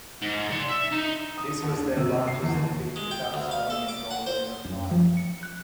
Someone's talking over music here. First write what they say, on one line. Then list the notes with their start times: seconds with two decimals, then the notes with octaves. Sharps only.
This was their largest defeat without scoring a goal in reply.
0.22 G#2
0.52 D5 C6
0.69 E5
0.92 D#4
1.37 D#6
1.63 D#2
1.77 D4
1.97 C3
2.28 C7
2.42 E2
2.54 D#2
2.96 G#3
3.11 G5
3.34 D2
3.51 F5
3.70 A4
3.88 D6
4.11 F#5
4.26 C5
4.65 F#2
4.91 F3
5.17 C#7
5.43 F#6